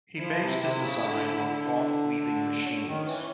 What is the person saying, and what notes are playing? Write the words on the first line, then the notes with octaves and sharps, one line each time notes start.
He based his design on cloth weaving machines.
F3 E4
C3
C3
C#3
D3
D4
D3 C#4
D#3
E3